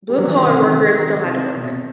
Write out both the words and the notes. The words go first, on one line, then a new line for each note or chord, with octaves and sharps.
blue collar workers still had to work
G3
F#3
E3
D#3
C3
D#3
C3
D#3
C3
B2
C3